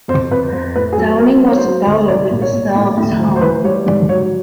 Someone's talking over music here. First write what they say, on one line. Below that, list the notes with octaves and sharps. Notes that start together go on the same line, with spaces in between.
Downing was a bowler with a style of his own.
F2 C5
F2 B4
F2 C5
A2 B4
G#4
F#3 A4
F#3 A#4
F#3 C5
C#5
C5
F#3
D2
C2 D5
A#2
C#5
A#2
A2
A2
F3
C5
E3 B4
G3 C#5
G#2 D5
F#3 C#5